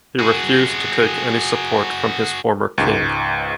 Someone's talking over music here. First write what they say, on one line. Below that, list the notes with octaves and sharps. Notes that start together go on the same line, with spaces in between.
He refused to take any support from his former King.
F#4 G#4
C#2 G#2